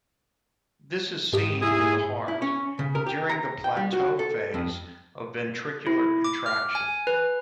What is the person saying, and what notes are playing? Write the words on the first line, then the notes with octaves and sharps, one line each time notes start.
This is seen in the heart, during the plateau phase of ventricular contraction.
G#2 G4 D#6
E4 G#4
E4
C#4
C#3
A#4
G4
A#5
G5
G3
F#4
A4
F2
E4
D6
F6
G#5
B4